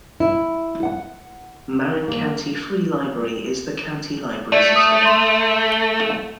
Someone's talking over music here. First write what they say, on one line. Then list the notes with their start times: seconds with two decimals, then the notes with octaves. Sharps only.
Marin County Free Library is the county library system.
0.20 E4
0.83 F#5
2.08 A#3
4.52 A3 D5
4.76 D#6
5.06 C6 F7
5.72 G7